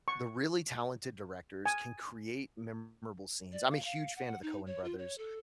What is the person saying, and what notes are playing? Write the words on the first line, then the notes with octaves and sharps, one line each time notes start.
the really talented directors, can create memorable scenes. I'm a huge fan of the Coen brothers,
C#6
G#5
D5
F5
F5
F#5
D#4
C#5
F4
C#5
A4